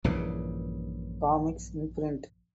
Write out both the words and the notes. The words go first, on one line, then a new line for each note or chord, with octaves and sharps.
Comics imprint.
A#1 G2 C#3 E3